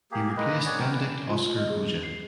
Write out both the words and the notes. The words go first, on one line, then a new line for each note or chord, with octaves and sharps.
He replaced Benedikt Oskar Oja.
A#3 G4 G#4
G#3 A#3 B4 D#5
C#5 D5 F#5 G#5
A#4 G5
D4 B4
F4
D#5
G#4
C7